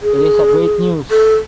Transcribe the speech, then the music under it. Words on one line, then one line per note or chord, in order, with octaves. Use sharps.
It is a great news.
G#4
A4